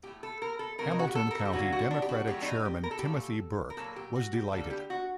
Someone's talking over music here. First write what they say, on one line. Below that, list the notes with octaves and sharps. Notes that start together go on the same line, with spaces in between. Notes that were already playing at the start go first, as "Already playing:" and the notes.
Hamilton County Democratic chairman Timothy Burke was delighted.
A2 A3 G4
A4
A#4
A4
C3 F#3 A3 A#4
D#4
F#4
G4
A4
A#4
A4
G4
D3 F#3 A#3 F#4
F#4
D4
G4
F#4
A2 F#3 A3 G4
D4
D#4
G4
A#4
A4
G4
A#2 A3 A4
A#4
A#2 F#3 A#3 A4
G4
F#4
G4
D3 G3 A#3 A4
G4
F#4